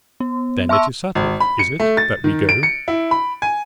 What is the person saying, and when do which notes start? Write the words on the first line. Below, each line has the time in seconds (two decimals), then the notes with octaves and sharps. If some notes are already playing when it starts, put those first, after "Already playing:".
"Then it is settled, is it, that we go?"
0.20 B3
0.69 E5 A5 C6 C#6 E6
1.15 G#1
1.40 B5
1.59 C#7
1.80 A3
1.97 A6
2.24 D#3
2.49 D7
2.63 C#7
2.88 E4
3.11 B5
3.42 G#5